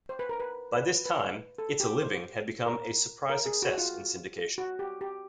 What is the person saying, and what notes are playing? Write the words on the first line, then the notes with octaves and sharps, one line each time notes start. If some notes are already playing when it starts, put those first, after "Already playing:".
By this time, "It's a Living" had become a surprise success in syndication.
C5
B4
A#4
B4
B4
B4
A4
G4
C5
A#4
A#4
G#4
F#4
F4
F#4
G4
G4